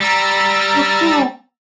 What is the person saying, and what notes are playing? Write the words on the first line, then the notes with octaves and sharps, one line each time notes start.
Oh, cool.
G3 A#5 E6 A6